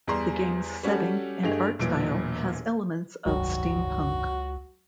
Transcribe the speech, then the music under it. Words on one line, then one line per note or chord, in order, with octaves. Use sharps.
The game's setting and art style has elements of steampunk.
E2 G3 G#4 A#5 C6
G3 C#4 F#4 G4 A4
G2 A3 G4 G#4 D#5 F7
E1 A#2 E3 F#3 D7
F1 C#2 G2 D#3 F#3 F#4